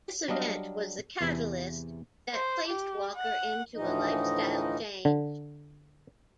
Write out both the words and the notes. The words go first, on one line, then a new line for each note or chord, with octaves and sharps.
This event was the catalyst that placed Walker into a lifestyle change.
F#3 G3 D4 D#5 F5
E2 C3 E3
C5
G4
F#5
D2 A2 E3 F3 D#4 D#5
D3